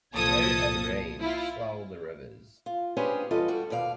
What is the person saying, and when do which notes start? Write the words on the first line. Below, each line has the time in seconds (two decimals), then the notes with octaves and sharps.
Snow and rain swell the rivers.
0.14 C2 A#2 F3 A4 D#6 G#6
1.20 E4 F4
2.66 F4
2.97 C#4 D4 G4 G#4 B4 C5
3.31 E2 G3 F4 A4 D#5
3.48 G3 D4 F#4
3.70 D#2 B2 D5 F5